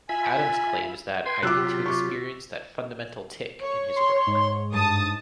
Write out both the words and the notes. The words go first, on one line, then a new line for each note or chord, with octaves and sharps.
Adams claims that "I need to experience that fundamental tick" in his work.
F4 E5 G#5 B5
B4 G5 C6 G#6
C3 F#3 F4 G4 D6 E6 F#6
C#6 D6
C#5
C6
G#2
G2 A5 D#6